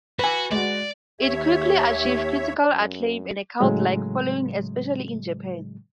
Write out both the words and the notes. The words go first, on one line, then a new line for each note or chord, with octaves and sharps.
It quickly achieved critical acclaim and a cult-like following, especially in Japan.
F#4 B4 G#5
G#3 F#4 D5
D#2 G4 C#5 E5
F#2
A2 C#3 F#3 G#3